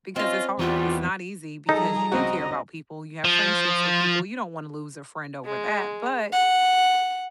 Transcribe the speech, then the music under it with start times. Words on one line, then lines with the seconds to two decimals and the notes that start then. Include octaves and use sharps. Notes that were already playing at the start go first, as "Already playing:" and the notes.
because it's hard; it's not easy because you do care about people, you have friendships with people, you don't wanna lose a friend over that, but
0.16 C4 C#4 F4 D#5 F5
0.59 E2 B2 G3 F4
1.69 F3 G3 D#4 G#4 A4 A#5
2.12 C#2 C4 F#4 D#5
3.24 F3
5.45 G#3
6.33 F#5